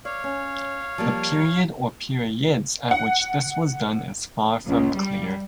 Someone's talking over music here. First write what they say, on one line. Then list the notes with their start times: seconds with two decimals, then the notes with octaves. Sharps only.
The period or periods at which this was done is far from clear.
0.05 C#5 D5 F5
0.24 C#4
0.98 F3 G3 A#3
2.91 F#5
4.67 C#2
4.96 G3